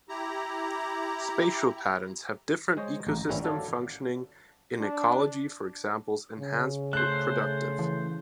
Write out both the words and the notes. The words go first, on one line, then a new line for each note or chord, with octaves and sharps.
Spatial patterns have different ecosystem functioning in ecology for examples enhanced productive.
E4 G4 A#5
G#3 G#4 C5 C#5 D#5
A1 A#5
A1 G2 D#3 G3 C#4 E4
F#4 A4 C#5 D5 F5
D4
C#3
A3 C5 F#6
E3